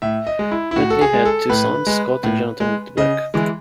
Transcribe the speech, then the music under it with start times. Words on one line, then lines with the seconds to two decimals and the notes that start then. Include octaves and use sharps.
Whitney had two sons, Scott and Jonathan Dweck.
0.02 A2 E5
0.27 D#5
0.39 G#3
0.51 E4
0.71 E4
0.76 A2 F#4
0.90 A4
1.01 G#4
1.13 G#3
1.25 A4
1.50 A2 B4
1.87 G#3
2.24 A2
2.60 G#3
2.97 C#3 D#5
3.34 E3 G#3